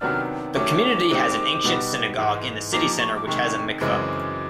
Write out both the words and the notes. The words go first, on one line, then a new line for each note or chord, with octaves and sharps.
The community has an ancient synagogue in the city center which has a mikveh.
C3 D#3 F#3 B3 D4 F6
D#3 F#3 A3 C#4 D6
D#3 G#3 C4 D#4 G4
B2 G3 B3 D#4
G#2 E3 G#3
F3 A#3 D#4 G4 A#4 D6
C#6
D6
C3 D#3 G#3 C#6
F#2 C#3 E3 G#3 C4 D6